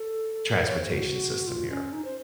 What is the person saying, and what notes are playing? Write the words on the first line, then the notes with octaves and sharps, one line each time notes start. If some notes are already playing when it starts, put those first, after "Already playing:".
transportation system here.
Already playing: A4
A#4
C#5
C5
F#4
F4
C#4
D#4
C5